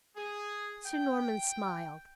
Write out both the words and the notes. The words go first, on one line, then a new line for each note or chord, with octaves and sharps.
Sir Norman smiled.
G#4
G5